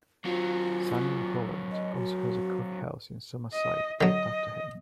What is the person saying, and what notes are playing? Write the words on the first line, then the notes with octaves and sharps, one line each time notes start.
Samuel Holland also has a coffee house in Summerside named after him.
F#3 C4 F4
D#5
F#4
D#5
D3 F#3 D#5